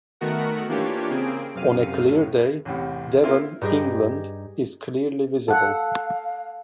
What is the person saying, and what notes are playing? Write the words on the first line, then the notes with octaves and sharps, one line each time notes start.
On a clear day, Devon, England, is clearly visible.
D#3 A3 B3 F#4 A#4 F#5
E3 A#3 D4 F4 G4 C#5
C#3 A#3 C4 G#4 D7
F#2 C3 F5 D#7
A2
A1 E2 A2 C3
A#3 C4 E4 F4
G2 D#4 G4 G#4 D#5
A4 F5 F#5